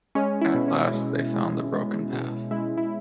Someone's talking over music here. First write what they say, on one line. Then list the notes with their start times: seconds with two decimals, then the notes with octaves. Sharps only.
At last they found the broken path.
0.15 G#3 C#4
0.41 E4
0.54 B2
0.68 C#4
0.94 G#3
1.34 G#3
1.73 G#3
2.12 B2
2.51 G#3 E4
2.78 E4